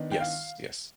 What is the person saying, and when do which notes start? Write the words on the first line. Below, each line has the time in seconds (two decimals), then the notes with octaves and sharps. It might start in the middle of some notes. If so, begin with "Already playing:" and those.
Yes, yes.
Already playing: D#3 B3 D4
0.11 G5
0.20 F5